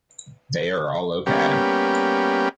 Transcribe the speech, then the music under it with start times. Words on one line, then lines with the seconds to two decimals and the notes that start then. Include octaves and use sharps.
They are all OK.
1.26 G3 A#3 B3 C#4 G4